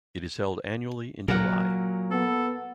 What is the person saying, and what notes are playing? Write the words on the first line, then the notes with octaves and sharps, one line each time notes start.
It is held annually in July.
A#2 F#3 A#4 F#5
B3 A4